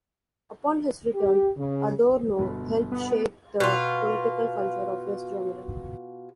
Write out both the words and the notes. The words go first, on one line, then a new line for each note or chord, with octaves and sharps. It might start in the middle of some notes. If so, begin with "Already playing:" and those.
Upon his return, Adorno helped shape the political culture of West Germany.
G4
C#3
G1 B2 B5
B3
B2 F4